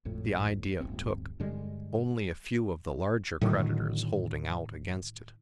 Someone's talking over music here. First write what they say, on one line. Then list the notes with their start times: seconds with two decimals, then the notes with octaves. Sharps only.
The idea took; only a few of the larger creditors holding out against it.
0.05 G#1 F2 A2
0.80 D1 G1 C4
1.40 G2 D3 G3 G#3
3.41 A2 D3 D#3 F#3